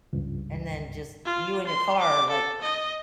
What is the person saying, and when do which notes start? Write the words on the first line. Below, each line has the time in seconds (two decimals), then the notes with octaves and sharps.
and then, just, you and your car are, like,
0.13 C#2 G2
1.25 F4
1.67 C6
2.00 D6
2.30 A4
2.62 D#5